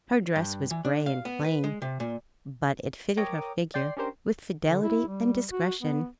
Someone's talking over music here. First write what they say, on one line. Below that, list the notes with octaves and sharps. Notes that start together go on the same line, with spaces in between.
Her dress was grey and plain, but it fitted her figure with fidelity and discretion.
G2
E3
D4
F5
B3
B4
G#3
C3
A#2
A#4 C#5 G5 A#5 D6 D#6
D5 G5 C6
C#4 D4 G4 A#4 C5
D3
E4
G3
F#4
B3